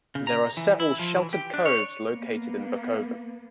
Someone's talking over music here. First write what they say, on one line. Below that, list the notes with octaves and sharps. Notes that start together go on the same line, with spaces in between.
There are several sheltered coves located in Bakoven.
C#3
A#5
E3
E4
F3
E3
G4
D4
C#5
A#3 B3